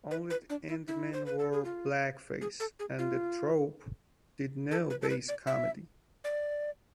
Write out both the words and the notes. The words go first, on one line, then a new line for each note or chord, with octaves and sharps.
Only the endmen wore blackface, and the troupe did no base comedy.
B4
B4
D4
E4
E4
C5
B4
A4
G#4
F4
G#4
A4
G#4
F4
A4
B4
A4
B4
D5
E5
D5